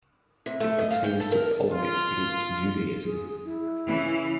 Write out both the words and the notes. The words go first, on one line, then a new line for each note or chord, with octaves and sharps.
It pertains to polemics against Judaism.
C3
A3
D#5
F5
G5
A4
A#4
F4
G#4
E4
C#3 E3